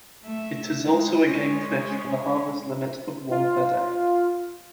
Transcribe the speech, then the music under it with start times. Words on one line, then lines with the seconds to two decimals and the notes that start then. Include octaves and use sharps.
It is also a game fish with a harvest limit of one per day.
0.23 A3 E5
0.87 G#3
1.23 G#3 C#4
3.31 F4